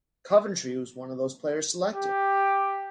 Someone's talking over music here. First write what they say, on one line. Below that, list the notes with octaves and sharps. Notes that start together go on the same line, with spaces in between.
Coventry was one of those players selected.
G4